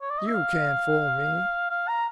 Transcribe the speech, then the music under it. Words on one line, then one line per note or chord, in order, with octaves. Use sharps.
You can't fool me!
C#5
D5
D#5
E5
F5
F5
A#5